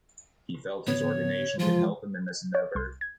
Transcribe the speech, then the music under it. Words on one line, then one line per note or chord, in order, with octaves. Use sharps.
He felt his ordination could help him in this endeavor.
A2 D3 B3 C#5
E3 F3 G#3 F4
C#5
C2 C6
G#6